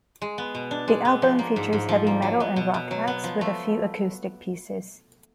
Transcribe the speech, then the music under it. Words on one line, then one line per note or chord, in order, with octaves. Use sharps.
The album features heavy metal and rock acts with a few acoustic pieces.
G#3
B3
B2
D4
G#3
B3
F3
A#3
G#2
G#2
F3
A#3
F#3
B3
B2
B2
F#3
B3
F3
A3